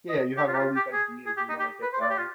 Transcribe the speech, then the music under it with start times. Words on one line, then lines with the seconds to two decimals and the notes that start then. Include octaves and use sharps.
Yeah, you have all these ideas you wanna get down.
0.09 D#5
0.37 G4
0.48 F4
0.54 G4
0.59 F4
0.76 G4
0.93 G#4
1.26 G#4
1.37 G4
1.49 D#4
1.60 G4
1.82 B4
1.93 C5
2.02 D5
2.10 G4
2.18 F4